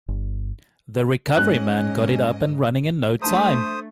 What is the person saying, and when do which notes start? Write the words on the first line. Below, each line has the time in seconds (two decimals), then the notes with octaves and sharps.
The recovery man got it up and running in no time.
0.08 G1
1.37 G#2 G#3 C#4 D#5 F#6
3.22 A3 D4 C5 A5 A#5 D#6